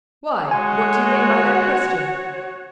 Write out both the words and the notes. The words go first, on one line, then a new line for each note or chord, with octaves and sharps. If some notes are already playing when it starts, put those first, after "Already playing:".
"Why?--what do you mean by that question?"
G#3 F#4 C#5 G#5